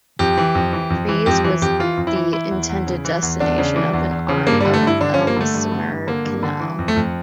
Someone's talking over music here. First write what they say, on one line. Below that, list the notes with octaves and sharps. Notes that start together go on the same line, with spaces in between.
Prees was the intended destination of an arm of the Ellesmere Canal.
F2 G4
E3
F2
E3
F2
E3
F2 G4
E3
F2 G4
E3 F4
F2
E4
E3
E3 E4
E2
E2
C#3
E3
E2
E2 D4
C#3
E3
E2
E2
C#3
G2 A#3
G3
D3
A3
G2 E4
D3 D4
C#4
G2
A#3
D3 A3
G2
D3
G2
D3 A#3
G2
D3
E3
F2
A3
F2